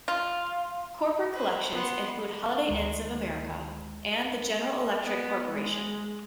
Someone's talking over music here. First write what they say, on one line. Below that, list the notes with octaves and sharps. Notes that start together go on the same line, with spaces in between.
Corporate collections include Holiday Inns of America and the General Electric Corporation.
F4
B4 C5
B3 C6
D2 D#3 G#3
B3
G#3